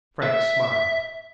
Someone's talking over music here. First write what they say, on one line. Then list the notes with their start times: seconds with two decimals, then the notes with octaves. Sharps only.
Frank smiled.
0.23 E5